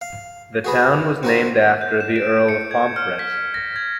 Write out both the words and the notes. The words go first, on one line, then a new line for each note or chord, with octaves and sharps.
The town was named after the Earl of Pomfret.
F5
F#4 G#4 B4
C4 F#4 A#4
G6
E7
D7
C#7
G#6
F6
B6
A#6
G#6